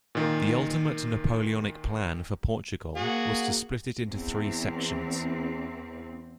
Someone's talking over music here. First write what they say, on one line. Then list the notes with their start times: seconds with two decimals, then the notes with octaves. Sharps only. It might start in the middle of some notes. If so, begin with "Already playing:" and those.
The ultimate Napoleonic plan for Portugal was to split it into three sections.
0.15 A#2 D#3
2.96 A#3 F#4 G#4 F#5
4.07 E2 C4